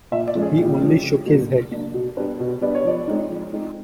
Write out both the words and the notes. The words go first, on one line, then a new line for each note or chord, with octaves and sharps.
He only shook his head.
A#2 E5
D5
F3 G#3 C#4
G#4
A#2 G4
F3 G#3 C#4
C#3
F#3 A#3 D4
C#3
F#3 A#3 D4
B2 F#4
G3 B3 D4 B4
B2
G3 B3 D4 D5
C#5
F3 D5
G#3 C4 D#4
F3
G#3 C4 D#4